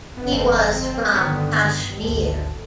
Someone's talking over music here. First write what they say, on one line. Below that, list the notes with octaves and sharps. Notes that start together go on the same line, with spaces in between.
He was from Kashmir.
G1 D3 B3
F2 C4
G2 D3 D#3 B3
G#1 D2 A4